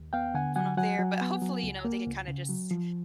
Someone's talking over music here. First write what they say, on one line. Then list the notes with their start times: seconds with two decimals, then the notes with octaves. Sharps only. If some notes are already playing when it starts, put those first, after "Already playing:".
going on there, but hopefully, you know, they can kinda just
Already playing: D#2
0.13 B3 F5 G5
0.34 D3 F#5 G#5
0.56 F#3 F#5 G#5
0.78 F#3 F#5 G#5
0.99 F#3
1.21 B3
1.42 F#3
1.63 C#2
1.85 A#3
2.06 C#2
2.28 C#3
2.49 F#3
2.71 F3